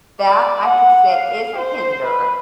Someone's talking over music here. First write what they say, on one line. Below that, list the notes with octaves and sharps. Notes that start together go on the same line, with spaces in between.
that, I could say, is a hinder
D5
F#5
F5
C5
B4